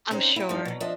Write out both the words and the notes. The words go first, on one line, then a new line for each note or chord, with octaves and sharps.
I'm sure.
C4 C#4 D#4 C5
E4 G4
E2 G2 G3 D#4
B2 F#3
F3 D4 D#5 E5